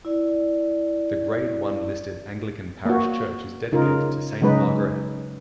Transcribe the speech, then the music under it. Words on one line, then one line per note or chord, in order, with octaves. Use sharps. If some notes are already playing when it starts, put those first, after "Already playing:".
The Grade One listed Anglican parish church is dedicated to Saint Margaret.
E4 D5
A#3 F#4
C#3 D#4 F4 A#4
C#3 F#3 G#3 D#4 B4